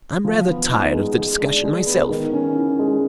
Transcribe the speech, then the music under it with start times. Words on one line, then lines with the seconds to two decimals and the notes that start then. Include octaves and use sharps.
"I'm rather tired of the discussion myself."
0.25 F3
0.48 B3
0.71 D#4
0.93 G#3
1.17 G#3
1.40 D4
1.64 G#3
1.86 B3
2.09 D#3
2.33 C#4
2.55 E4
2.79 G#3